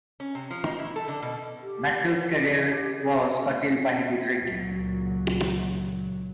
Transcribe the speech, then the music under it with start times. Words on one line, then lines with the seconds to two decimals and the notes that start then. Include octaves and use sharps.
Mackerell's career was curtailed by heavy drinking.
0.20 C#4
0.35 C3
0.50 F3
0.65 D#4
0.79 E4
0.96 A4
1.08 D3
1.22 B2
1.62 G4
2.08 C#5
2.29 G4
2.50 D#5
2.68 G4
2.97 G#4
3.26 E5
3.44 A3
4.41 C#2 A#2 F#3